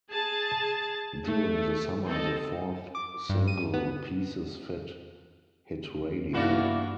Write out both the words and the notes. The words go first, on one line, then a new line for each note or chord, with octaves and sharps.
During the summer the fourth single "Pieces Fit" hit radio.
G#4 A5
A3
C4 A4 D#5
D6
G2
D#7
B3
G2 E3 A#3 B3 E4 F#4 D5